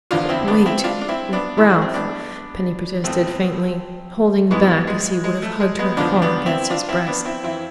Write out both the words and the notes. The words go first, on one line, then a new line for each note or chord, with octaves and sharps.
"Wait, Ralph!" Penny protested faintly, holding back as he would have hugged her hard against his breast.
E2 D3 F3 D4 F4
C4 E4
B3 D4
C4 E4
D4 F4
D4
C4 E4
B3 D4
A2 E3 E4
D4
C4
B3 D4
E2 B2 A3 C4
G#2 E3 G#3 B3
G#3
G#3
A3
G#3
G#3 B3
F2 D3 F3 B3 D4
B3 D4
C4 E4
D4 F4
C4 E4
B3 D4
C4 E4
F2 E3 C4 E4